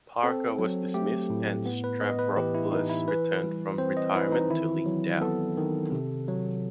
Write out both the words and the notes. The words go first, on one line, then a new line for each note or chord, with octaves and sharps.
Parker was dismissed and Stavropoulos returned from retirement to lead Dow.
C4 A4
F#3
A3 G4
A2
B3
B4
B3 D#5
B4
E3 G4
E4
E3 D#4
E4
E3 B4
G3
C4 C5
D#5
E3 B4
D#4
D#3 E4
F#3
B3 A4
D#3
C3
F#3